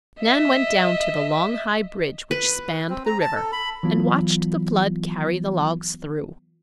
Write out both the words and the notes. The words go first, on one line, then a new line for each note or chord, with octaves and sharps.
Nan went down to the long, high bridge which spanned the river and watched the flood carry the logs through.
D#5 E5
B4
C4
A#5
A5
A4
B5
E3 F#3 B3 F4